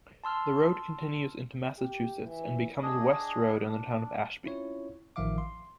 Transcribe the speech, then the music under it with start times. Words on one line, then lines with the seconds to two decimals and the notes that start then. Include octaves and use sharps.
The road continues into Massachusetts and becomes West Road in the town of Ashby.
0.24 A5 C6 E6 F6
1.78 G4
2.26 E3
2.82 D4 G#4 D#5
3.68 D4
4.44 C4 C#4 E4 F4 C#5
5.16 A1 D#3 F3 E5 F5 D6
5.38 C6